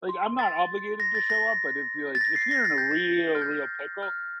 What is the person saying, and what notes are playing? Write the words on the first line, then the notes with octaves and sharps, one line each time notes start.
Like, I'm not obligated to show up, but if you're, like, if you're in a real real pickle,
C6
A6
A#6
A6
A#6
A6
A#6
C7
A#6
A6
G6
A6
F6
G6
F6